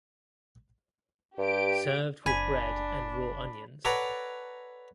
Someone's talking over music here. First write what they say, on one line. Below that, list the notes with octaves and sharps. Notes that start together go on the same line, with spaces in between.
Served with bread and raw onions.
G2 G4 D7
F#1 D4 G#5 B5 B6
A4 B4 C#5 D5 F#5 A#5